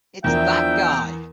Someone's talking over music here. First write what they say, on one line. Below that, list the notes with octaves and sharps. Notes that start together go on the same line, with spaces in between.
It's That Guy!
E2 F3 D4 A#4 E5 G5